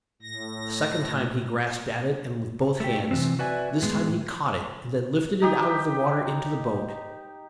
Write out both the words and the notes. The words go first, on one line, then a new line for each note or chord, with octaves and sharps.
A second time he grasped at it, and with both hands. This time he caught it, and then lifted it out of the water into the boat.
A2 A#6
A3 G4
C3 E3 C4
F#4 B4 D5 E5 G#5
A2 G#3 B3
D#4 G4 D#5